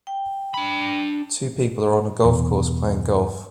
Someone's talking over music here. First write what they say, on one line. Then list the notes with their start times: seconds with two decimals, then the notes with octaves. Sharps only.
Two people are on a golf course playing golf.
0.07 G5
0.54 D4 B5
2.25 E2 B2